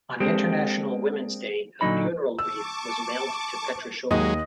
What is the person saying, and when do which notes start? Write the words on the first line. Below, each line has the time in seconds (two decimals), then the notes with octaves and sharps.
On International Women's Day, a funeral wreath was mailed to Petrushova.
0.20 G#3 A#3 C4 D4 G4 A4
1.81 A#2 D3 F#3 D#4 B5
2.39 A5 C#6 D6 E6
4.11 D#2 F#3 G#3 D#5